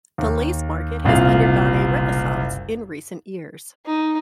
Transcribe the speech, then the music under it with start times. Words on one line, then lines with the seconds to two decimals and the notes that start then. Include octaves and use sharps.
The Lace Market has undergone a renaissance in recent years.
0.18 D#2
1.04 F#1 C2 A#2 F5
3.86 D#4